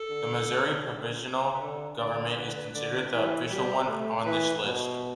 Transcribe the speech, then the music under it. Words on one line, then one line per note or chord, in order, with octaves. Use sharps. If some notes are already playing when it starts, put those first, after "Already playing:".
The Missouri Provisional Government is considered the official one on this list.
Already playing: A4
D3
B4
D3 A4
D3 D5
D3 B4
B4
D3 D5
B4
E3 B4
A4
G3 G4
A3
E3 B4
B2